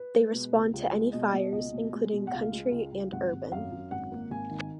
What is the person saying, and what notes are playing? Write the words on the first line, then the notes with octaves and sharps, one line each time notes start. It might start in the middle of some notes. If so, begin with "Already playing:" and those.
They respond to any fires including country and urban.
Already playing: B4
G#3
B2
C#2
C#2
G#3
B2 D#5
B2
C#2 D#5
B2
G#3
B2
F#5
C#2 F5
G#3
C#2
C#2
G#1 F#5
G#1
F#2 F5
F#2
G#1 F#5
A#3
G#1 G#5
D#3